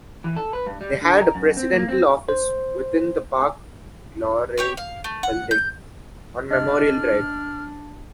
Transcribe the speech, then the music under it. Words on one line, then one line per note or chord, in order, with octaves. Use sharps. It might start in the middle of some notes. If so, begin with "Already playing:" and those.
They had a presidential office within the Park Laureate Building on Memorial Drive.
E3
A4
B4
G2
G3
D3
A#4
F#2
C4
A#3
C4
C5
G4 C#5 C#6
F5
A3
F#5
G6
D4 D#5 F6